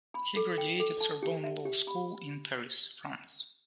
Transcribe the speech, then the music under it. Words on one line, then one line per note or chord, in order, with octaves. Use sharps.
He graduated Sorbonne Law School in Paris, France.
B5
A4
G5
A4
A5
G4
E5
G4
B5